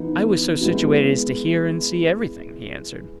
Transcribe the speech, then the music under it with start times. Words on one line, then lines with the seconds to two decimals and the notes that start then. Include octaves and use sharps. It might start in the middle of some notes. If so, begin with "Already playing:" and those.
"I was so situated as to hear and see everything," he answered.
Already playing: E3 B3 D#4
0.61 G#3 B3 E4